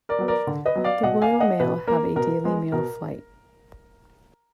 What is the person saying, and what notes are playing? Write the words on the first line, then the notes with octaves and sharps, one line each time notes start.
The Royal Mail have a daily mail flight.
A#4 D5
F#3 B3
A#4 D5
D3
B4 D#5
F#3 B3
D5 F5
B2 D#5 F#5
F5 G#5
A#3
D#5 F#5
B2 B4
A#3 A#4
B2 A#4
G#3 B3
B2 A#4